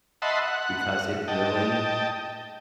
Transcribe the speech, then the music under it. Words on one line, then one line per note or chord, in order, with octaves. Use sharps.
"because it really"
D#5 E5 F#5 A5 B5 C6
F#5
D#5 G5 A5